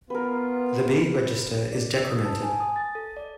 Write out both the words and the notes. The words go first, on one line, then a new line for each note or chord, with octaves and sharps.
The B register is decremented.
B3 F4 A#4 B4
D5
E6
D#6
A5
G#5
D#6
A6
A4
D5